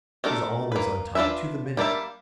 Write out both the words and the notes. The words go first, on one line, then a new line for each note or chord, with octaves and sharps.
She's always on time, to the minute.
A3 D4 A4 A#4
A#3 B4
D4 F4 F#4 B4 E5
G3 A#3 D4 E5